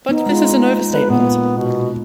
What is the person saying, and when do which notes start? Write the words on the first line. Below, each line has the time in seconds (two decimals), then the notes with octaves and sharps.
But this is an overstatement.
0.09 B3 D#4
0.26 G#3 F4
0.93 B4
1.10 A#2 B3
1.57 B2